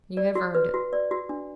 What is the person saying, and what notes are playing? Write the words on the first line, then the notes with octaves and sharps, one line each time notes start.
You have earned it.
D5
F#4
B4
F#4
D5
F#4
D4